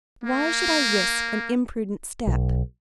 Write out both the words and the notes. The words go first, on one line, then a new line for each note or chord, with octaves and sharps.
Why should I risk an imprudent step?
A#3
B1